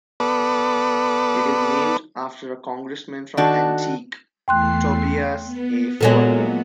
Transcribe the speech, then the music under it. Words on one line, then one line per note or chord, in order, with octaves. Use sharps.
It is named after a Congressman from Antique, Tobias A Fornier.
B3 A4 B4 D5
D#3 D4 F#4 A4
E2 A3 G5 C6 F#6 C7
B3
A#2 F#3 G#3 A4 C#5